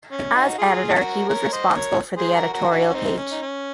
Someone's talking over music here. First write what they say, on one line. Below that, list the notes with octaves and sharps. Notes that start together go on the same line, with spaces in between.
As editor, he was responsible for the editorial page.
C#4
D#4 F#4
F4 G#4
F#4 A#4
A#4 C#5
C5 D#5
A#4 C#5
G#4 C5
F#4 A#4
F#4 A#4
D#4 F#4
C#4
C4 D#4
C#4
D#4
C#4